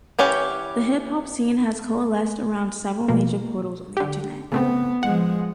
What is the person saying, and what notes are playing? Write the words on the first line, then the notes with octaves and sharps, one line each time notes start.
The hip hop scene has coalesced around several major portals on the internet.
E3 C#4 G4 C#5 F#5
B2 F3 A#3
D3 G4
C#3 A3 B3 C4
F3 G#3 F#5